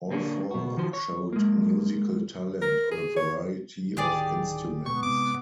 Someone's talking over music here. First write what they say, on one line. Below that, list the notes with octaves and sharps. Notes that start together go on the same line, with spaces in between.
All four showed musical talent on a variety of instruments.
D3 A#3 C#4 D4
B2 F#4
D#3 F3 F#4 C5
C#5
G#3 A#3
A#4
G#4
C#5
D1 D#3 G3 G4 G#4 D5
B2 B3 C#6
G#2 C3 D6